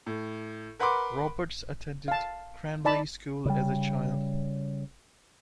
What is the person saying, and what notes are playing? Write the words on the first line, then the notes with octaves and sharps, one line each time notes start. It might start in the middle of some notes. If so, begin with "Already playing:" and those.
Roberts attended Cranleigh School as a child.
A2
A#4 B4 F#5 B5 C6 D6
F5 A5
D#4 D5 A5 B5
C#3 G3